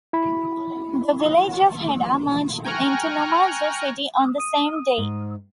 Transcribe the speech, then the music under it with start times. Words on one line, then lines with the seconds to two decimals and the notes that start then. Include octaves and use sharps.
The village of Heda merged into Numazu City on the same day.
0.13 E4 B5
2.65 G5 G#5 A#5 C#6 F6 F#6
4.38 D#6 D#7
4.98 G#2